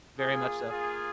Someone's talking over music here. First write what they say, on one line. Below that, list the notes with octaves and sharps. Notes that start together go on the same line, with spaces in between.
Very much so.
A#3 F4 G#4
A#3 F4 G#4